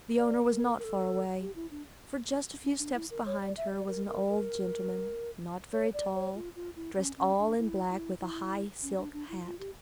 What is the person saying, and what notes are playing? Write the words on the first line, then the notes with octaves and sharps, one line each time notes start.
The owner was not far away, for just a few steps behind her was an old gentleman, not very tall, dressed all in black with a high silk hat.
D5
A#4
A#4
A4
G4
E4
D4
C#4
D4
E4
A#4
C#5
D5
E5
D5
A#4
A#4
A#4
C#5
D5
C#5
F4
F4
E4
C#4
C#4
D4
E4
E4
E4
C#4
D4
D4
E4
F4
G4